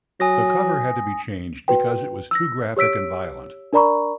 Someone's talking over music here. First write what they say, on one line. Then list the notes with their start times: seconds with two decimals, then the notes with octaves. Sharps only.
The cover had to be changed because it was too graphic and violent.
0.20 F#3 G#5 D#6 A#6
1.68 F#4 B4 G5
2.31 E6 A#6
2.77 G4 C#5 E6 B6 D7
3.73 D4 A#4 D5 A#5 B5 C#6